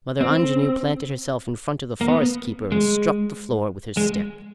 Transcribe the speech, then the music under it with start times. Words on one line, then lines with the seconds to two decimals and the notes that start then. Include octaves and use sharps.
Mother Angenoux planted herself in front of the forest-keeper and struck the floor with her stick.
0.21 C4
2.01 A#3
2.08 B3
2.72 G#3
3.97 G#3